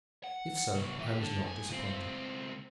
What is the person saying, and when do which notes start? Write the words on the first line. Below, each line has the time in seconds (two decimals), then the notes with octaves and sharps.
If so, I was not disappointed.
0.24 F#5
0.74 C3 F#3
0.98 E3 G4
1.19 D3
1.43 B1 G#5
1.69 C#2 C4